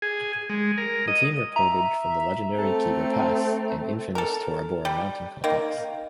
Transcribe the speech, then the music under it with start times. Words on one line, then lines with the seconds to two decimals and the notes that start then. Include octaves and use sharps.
The team reported from the legendary Khyber Pass and infamous Tora Bora mountain complex.
0.02 G#4
0.50 G#3
0.78 A#4
1.08 D#5
1.56 E5 A#5
2.59 A3 C4 A4
4.15 A4 A#4
4.85 G3
5.44 D#3 A#3